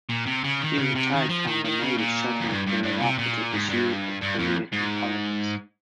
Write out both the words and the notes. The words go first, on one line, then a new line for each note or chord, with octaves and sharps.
He retired from the Navy shortly thereafter to pursue a career in politics.
A#2
C3
C#3
D#3
C#3
C3
D#3
F3
D#3
D#3
C#3
A#2
F2
G2
G2
G2
C3
A#2
G#2
G2
G2
F2
G#2